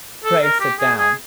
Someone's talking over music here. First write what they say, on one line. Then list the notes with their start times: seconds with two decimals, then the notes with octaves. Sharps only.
Pray sit down.
0.25 A4
0.43 A#4
0.61 G4
0.79 G#4
0.99 G#4